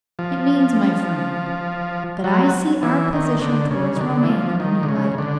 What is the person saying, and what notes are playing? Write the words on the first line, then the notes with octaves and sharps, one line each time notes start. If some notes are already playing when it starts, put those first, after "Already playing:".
It means, my friend, that I see our position toward Romayne in a new light.
F3
F#3
E3
D#3
D3
C#3
D#3
D3
E3
F3
D#3
D3
C#3
D3